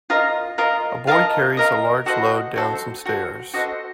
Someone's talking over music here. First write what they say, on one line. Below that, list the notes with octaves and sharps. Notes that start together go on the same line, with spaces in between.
A boy carries a large load down some stairs.
F4 A#4 D#5
F4 A#4 D#5
F4 A#4 D#5 F5 A5
F4 A#4 D#5
F#4 A4 C5 D#5 F#5
F#4 A4 C5
F#4 A4 C5
F#4 A4 C5 D#5 F#5